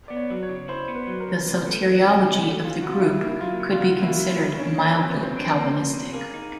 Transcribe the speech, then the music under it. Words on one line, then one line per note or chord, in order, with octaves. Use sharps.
The soteriology of the group could be considered mildly Calvinistic.
B3 D5
C#5
F#3
C#5
C#3
E4 C5
B3
B4
F#3
A#4
C#3
C3 B4
A3
E3
C3
C3 F#4
A3
E3 F4
C3 F#4
F4
C#3 E4
A#3
F#3 F4
C#3
F4
C#3 F#4
A#3 E4
F4
F#3
C#3
C#4 D4
A#3
F3 C4
B3
C3
C4
B3 D4
A#3
F3
C3
A#3 G#4
D#4